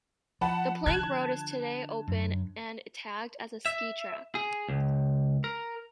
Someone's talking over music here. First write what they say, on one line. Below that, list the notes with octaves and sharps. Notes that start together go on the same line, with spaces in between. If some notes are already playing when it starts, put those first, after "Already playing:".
The Plank Road is today open and tagged as a ski track.
F3 F#5 A5 B5
D3 A5 F#6 G#6
F#2
E5
G#4
C#2
A#4